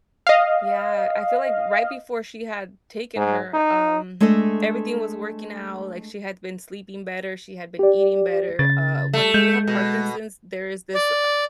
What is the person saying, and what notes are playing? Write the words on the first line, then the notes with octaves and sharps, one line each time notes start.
Yeah, I feel like right before she had taken her, um, everything was working out, like she had been sleeping better, she had been eating better, uh, when you have Parkinson's, there is this, uh
D#5 F5
G#2
D#4
G#3 A3 D4 A4 D#5
G4 D5
C#3 A6
A3
G#3 G6
B2
D5